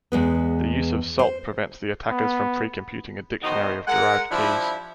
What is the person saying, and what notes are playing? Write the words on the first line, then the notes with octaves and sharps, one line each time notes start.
The use of salt prevents the attackers from precomputing a dictionary of derived keys.
E2 G#3 B3
C5
B3
B2 D#3 D#4 F#4 C5
G#3 A#4 F#5
F3 G3 D4 E4